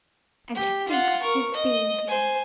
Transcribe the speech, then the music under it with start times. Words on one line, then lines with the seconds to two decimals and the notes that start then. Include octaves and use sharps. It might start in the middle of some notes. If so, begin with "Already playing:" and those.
And to think of his being here!
0.55 G4
0.88 F4 F#5
1.23 A#4 C#6
1.54 D#5
2.07 C5 G#5